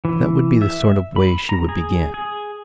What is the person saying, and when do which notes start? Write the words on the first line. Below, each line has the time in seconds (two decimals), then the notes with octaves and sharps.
That would be the sort of way she would begin.
0.05 E3
0.62 E5
1.16 B5
1.49 A#5
1.69 G#4
2.14 G#4